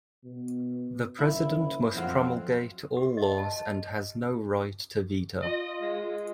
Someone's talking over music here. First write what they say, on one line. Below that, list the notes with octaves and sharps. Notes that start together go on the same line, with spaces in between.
The president must promulgate all laws and has no right to veto.
B2
F#1 E4
F2 F#3 C4 F5
G4
D#5
A5
F4 D#5
G#3